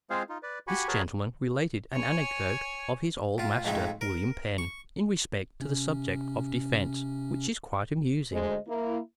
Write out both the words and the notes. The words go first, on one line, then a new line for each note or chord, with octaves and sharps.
This gentleman related an anecdote of his old master, William Penn, in respect to the subject of defence, which is quite amusing.
G#3 C4 F4 G#4 C5 F5
D#4 F4
B4 D5
F#4 G4 G#5 B5 C#6
F#4 G#4 A#4 B4 C#5 A5
C#5 G#5
A2 F4
F2 A2 G#3 A3 D#4
A#4
C#6
C3 C#4
D2 G#3 C5 D#5
A#3 E4